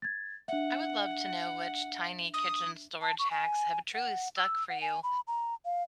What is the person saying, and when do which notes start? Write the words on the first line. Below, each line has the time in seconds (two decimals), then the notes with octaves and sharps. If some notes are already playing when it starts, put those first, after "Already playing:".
I would love to know which tiny kitchen storage hacks have truly stuck for you
0.02 G#6 A6
0.48 D4 E5 F#5
2.34 D#6
3.02 A5
3.19 C#6
3.31 G#5
3.95 F#5
4.37 E6
4.69 F#5
4.82 G#5
5.03 B5
5.27 A#5
5.65 F5